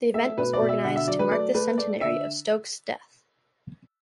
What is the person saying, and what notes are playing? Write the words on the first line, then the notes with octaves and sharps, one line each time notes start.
The event was organised to mark the centenary of Stokes' death.
A3 E5
B2 B4
D5
B2
E5
D3 F#5
E5
F#3 D5
B4
A3 D5
A3 B4
A3 D5
D3 E5